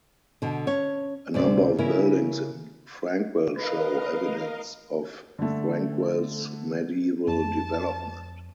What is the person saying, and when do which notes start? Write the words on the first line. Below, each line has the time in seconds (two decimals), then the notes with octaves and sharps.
A number of buildings in Frankwell show evidence of Frankwell's medieval development.
0.42 B2 D3
0.67 C#4 C#5
1.34 D2 C3 D5
1.78 C#3 E4 A#4
3.57 A#4 B4 D#5 F5
5.39 D3 A3
7.28 F2 A5